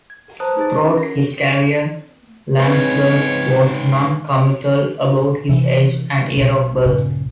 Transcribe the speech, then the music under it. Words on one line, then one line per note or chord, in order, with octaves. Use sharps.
Throughout his career, Landesberg was noncommittal about his age and year of birth.
G#6
B4 C5 A5 A#5 D#6 F#6
D#4 G#4 A6
C#4 F#4
A#4 A#6
G#2 C#3 C4 G#4 B4 C#5
C3 E3
B1 B2
B1 G2 A#2 C#3